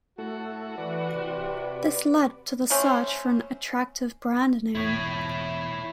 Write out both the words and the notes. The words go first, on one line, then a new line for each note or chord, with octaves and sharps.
This led to the search for an attractive brand name.
A3 E4 F#4 A4
E3 B4 D5
C3
A3 C4 C#4 C5
E1 E4 C#5